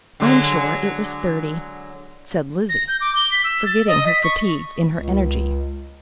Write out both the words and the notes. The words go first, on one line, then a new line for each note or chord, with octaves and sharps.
"I'm sure it was thirty," said Lizzie, forgetting her fatigue in her energy.
D3 F#3 G#3
A#6
G6
D6
G7
B6
E6
A6
D#5
B6
C#6
C#2